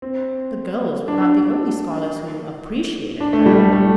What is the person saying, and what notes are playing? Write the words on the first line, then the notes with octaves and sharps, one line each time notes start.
The girls were not the only scholars who "appreciated" her.
C4
D4
D4
A3
G3
A3
A3